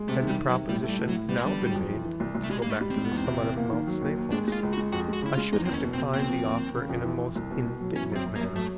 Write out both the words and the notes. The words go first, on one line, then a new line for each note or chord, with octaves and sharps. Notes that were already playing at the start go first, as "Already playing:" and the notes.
Had the proposition now been made to go back to the summit of Mount Sneffels, I should have declined the offer in a most indignant manner.
Already playing: G#3
C3 A3
D#3
G3
D#3
F#3
C3
A2 G3
A3
G3
A2
F#3
A2
G3 B3
G#3
D3 G3
F#3
F2
E3
E3
C2
C2
A3
G3 G#3
A#3
G#2 A3
G3
G#2 C4
B3
E2
C4
C3
E2
A#3
D#3
F#3
D#2
D#2
G#3 D4
G#3 F4
C#2
F#4
G#3
F2 F#4
G#3 F#4
C#3 E4
F4
G#3
E2 D#4
C4
F#1 C#4
B2
C4
B2
D#2 C4
F3
D#2
D#2
C#3
F2
E3
F2
C2
B2
B2
F#3
E3 C#4
F#2 C4
F#2
A#3
F#2
F#3 A3